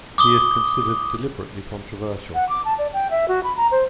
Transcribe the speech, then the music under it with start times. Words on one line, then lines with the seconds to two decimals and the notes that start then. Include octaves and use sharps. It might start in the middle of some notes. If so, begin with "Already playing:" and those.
He is considered deliberately controversial.
0.18 D6 D#6 G7
2.35 F#5
2.49 D6
2.65 A5
2.78 D5
2.93 G5
3.11 E5
3.28 F#4
3.44 B5
3.57 A#5
3.72 C5